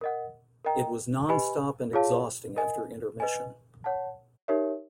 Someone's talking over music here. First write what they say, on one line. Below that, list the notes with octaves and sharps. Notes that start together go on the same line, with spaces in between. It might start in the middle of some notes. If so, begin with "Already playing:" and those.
It was non-stop and exhausting after intermission.
A#4 D#5 F#5
A#4 D#5 G5 A#5
G4 B4 D#5 G#5 B5
F4 G#4 C#5 F5 A5
A#4 D#5 G#5
B4 D#5 G#5
C#5 F#5 A5
D#4 G4 A#4 C#5 E5